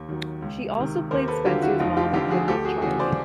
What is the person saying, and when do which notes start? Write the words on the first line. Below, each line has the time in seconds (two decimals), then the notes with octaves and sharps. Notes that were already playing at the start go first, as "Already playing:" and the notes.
She also played Spencer's mom in "Good Luck Charlie".
Already playing: D#2
0.09 D#3 F#3
0.42 C#2
0.77 C3 D#3
1.11 D#2 A#4 C5
1.28 A4 B4
1.45 D3 F#3 F4 G4
1.62 E4 F#4
1.80 F1 D#4 F4
1.97 F4 G4
2.13 F2 D3 F4 G4
2.31 F#4 G#4
2.48 D2 G4 A4
2.65 F#4 G#4
2.82 C#3 E3 F#4 G#4
2.99 C5 D5